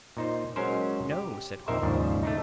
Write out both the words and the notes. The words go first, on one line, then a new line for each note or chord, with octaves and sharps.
"No," said Cromwell.
A#2 D#4 C5
F#3 G#3 C#4 A#4 C5
G4
A#1 F2 D#4 A#4 C5 E5
D#2 G#2 C#3 F3 D4
A3 D4 D#4